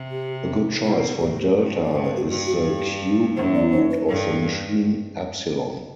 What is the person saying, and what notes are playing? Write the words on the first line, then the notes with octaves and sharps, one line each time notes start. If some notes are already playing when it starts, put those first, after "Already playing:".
A good choice for delta is the cube root of the machine epsilon.
Already playing: C3
G4
B2 E4
A2 G4
G4
G2
D5
G2 C5
B4
F#4
G2 F#4
F#4
G4
F#2 C5
D5
C5
B4
G2 A4